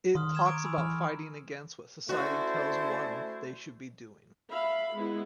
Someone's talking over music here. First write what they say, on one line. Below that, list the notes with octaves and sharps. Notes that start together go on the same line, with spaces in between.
It talks about fighting against what society tells one they should be doing.
D#3 C6 D#6 F6
C#6 G#6 E7
A#5 D6 D7
G#5 B5 E6
E3 F6
A3 C#4 E4 F#4 C5 D5
E5 F5 B5
G#3 B3 E4